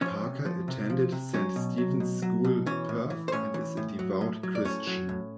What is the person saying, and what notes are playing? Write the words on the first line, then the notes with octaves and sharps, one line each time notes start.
Parker attended Saint Stephen's School, Perth and is a devout Christian.
F3 C#4 C#5
C3
F3
C3
F3
C3
F#3 C#4 C#5
B2
F#3
B2
F#3
B2
E3 C#4 C#5
A2
E3
C5
A2 C#4 C#5
E3
A2
F#3
A2
F#3
D5
A2 C#4 C#5
F#3
A2